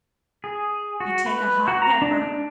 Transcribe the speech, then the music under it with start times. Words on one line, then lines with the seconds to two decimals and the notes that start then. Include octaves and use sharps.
you take a hot pepper
0.44 G#4
1.00 F#4
1.26 B4
1.68 F#4
1.82 A#5
2.02 D4
2.22 D4